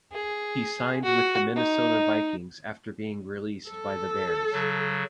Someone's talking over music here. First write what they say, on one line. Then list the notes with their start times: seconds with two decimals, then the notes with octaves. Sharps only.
He signed with the Minnesota Vikings after being released by the Bears.
0.12 G#4
1.03 F#4
1.56 D#4
3.69 A4
4.53 C#3 F#3